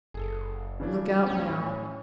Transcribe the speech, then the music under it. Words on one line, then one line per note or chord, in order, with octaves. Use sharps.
Look out now.
F#1 G#4 A4
C#3 E3 D4
E1 D2 C#4
A2